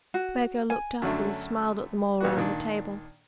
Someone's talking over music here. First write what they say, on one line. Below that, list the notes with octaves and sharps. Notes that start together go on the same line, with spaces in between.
Burgo looked up and smiled at them all round the table.
F#4
G#5
F#2 D3 F#3 A3 D4
A#1 E3 B3 F#4
A#2 D#3 D4